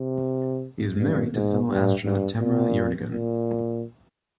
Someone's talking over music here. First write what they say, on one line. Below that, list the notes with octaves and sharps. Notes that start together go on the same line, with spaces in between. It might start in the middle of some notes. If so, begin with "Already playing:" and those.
He is married to fellow astronaut Tamara Jernigan.
Already playing: C3
G2
G#2
G2
G2
A#2
A#2